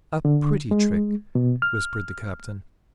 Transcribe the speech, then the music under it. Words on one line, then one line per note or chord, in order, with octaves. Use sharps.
"A pretty trick," whispered the captain.
D3
G#3
B2
F6